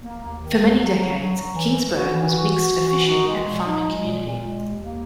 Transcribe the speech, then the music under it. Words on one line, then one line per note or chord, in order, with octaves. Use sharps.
For many decades Kingsburg was mixed a fishing and farming community.
A#3
D#2
D#3
D#2
F#3
F#3
F#3
F#3
E3
E3
F#4
E3
F#4
F#4
E3
F#4
D#4
G#3
A#2
D#4
G#3
A#2
A#2
G#3
D#2
A#3